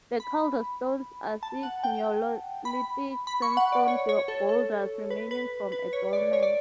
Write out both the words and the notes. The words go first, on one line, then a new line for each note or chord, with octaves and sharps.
The Calderstones are six neolithic sandstone boulders remaining from a dolmen.
B5
A5
F#5
G5
B5
B5
C#6
F#5
D5
C#5
C#5
A4
A4
B4
B4
B4
C#5
D5
C#5
D5